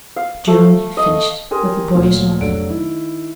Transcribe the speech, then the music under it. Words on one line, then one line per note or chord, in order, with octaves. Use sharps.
"June," he finished with a boyish laugh.
F5
A3
D#5
G4 A#4 G#5 C6 D#6
D2 A#2 F#3 A3
F1 F#3 D4 A4 D7
D#3 E4